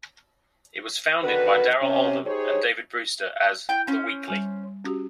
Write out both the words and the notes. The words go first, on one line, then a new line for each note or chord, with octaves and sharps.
It was founded by Darrell Oldham and David Brewster as "The Weekly".
D3 D#3 F#4 B4
C3 C#4
D#4 G4 G#4 C5 C#5
E4 G5 G6
C#4 C5
G3 G#5
C#4 F#4 G4